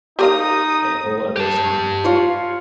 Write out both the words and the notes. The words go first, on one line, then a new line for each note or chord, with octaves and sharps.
A whole other song.
D#4 G4 A#4 F5 D#6
G4 A5
F4 C#5 C6